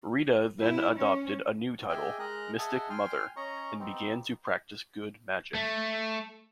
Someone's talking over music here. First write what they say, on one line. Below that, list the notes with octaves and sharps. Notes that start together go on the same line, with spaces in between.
Rita then adopted a new title, Mystic Mother, and began to practice good magic.
E4
C#4
G4 G#4 D#5 E5 G5 G#5
G#3 A#4 D#5 A#5 F#6
G#4 D#5 E5 F#5 G#5 A5
G5 G#5 C6 F6
C#4 C#5 D#5 A#5 C#6
B3 C4 D#4 G4
A3